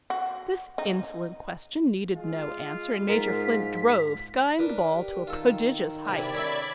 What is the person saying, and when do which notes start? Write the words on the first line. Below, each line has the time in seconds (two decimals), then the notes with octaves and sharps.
This insolent question needed no answer, and Major Flint drove, skying the ball to a prodigious height.
0.10 F#4
0.78 D#4
2.15 G#3 F4
3.08 G#2 A#4 B6
4.59 D4 D#4 A#4 B4
4.93 G4
5.27 D#3 F4 A4
6.05 E2 C3 E3 D5 B5 G#6
6.36 C#4 A4 E5